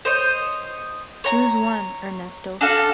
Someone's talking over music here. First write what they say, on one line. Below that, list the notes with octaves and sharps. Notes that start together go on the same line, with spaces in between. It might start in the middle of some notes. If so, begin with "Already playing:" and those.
Choose one, Ernesto.
C5 C#5 D#5
C#5 A#5
D4 F#4 A4 F5